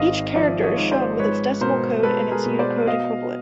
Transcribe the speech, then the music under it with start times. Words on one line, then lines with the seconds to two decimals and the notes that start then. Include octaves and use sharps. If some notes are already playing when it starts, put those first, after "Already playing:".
Each character is shown with its decimal code and its Unicode equivalent.
Already playing: G#1 G#2 D#5 F5
0.35 F3 D5 E5
0.63 C#5 D#5
0.77 G#2
0.91 C5 D5
1.19 G#3 B4 C#5
1.61 B2 A#4 C5
2.03 G#3 A4 B4
2.31 G#4 A#4
2.46 B2
2.59 C5 D5
2.87 B2 D#5 F5